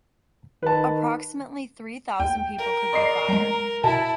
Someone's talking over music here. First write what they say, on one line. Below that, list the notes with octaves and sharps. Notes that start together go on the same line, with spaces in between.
Approximately three thousand people could be fired.
D#3 B4 A5
D#2 G5
A#4
D5 D#5 B5 C6 C7
F#3 G#3 A#5 D7
B2 E4 A5